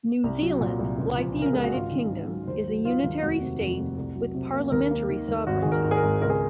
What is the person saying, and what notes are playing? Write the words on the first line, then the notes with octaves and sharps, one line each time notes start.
New Zealand, like the United Kingdom, is a unitary state with parliamentary sovereignty.
C2
F#3
A#2
C2
C#2
F3
C#3
A#4
G#3 G#4
F#4
G#1 F4
D#3
G#2
F#3
D#2 C5
F#3
D#3 F4
D#2
F1 F#4
C3
F2
F1
C2
F#3
C3
A#3
D#2 A#4
A#3
D#3
D#2
G#1 F#4
D#3 G#4
A#4
G#2
G#4
A#4
G#1
C#2 A#4
G#4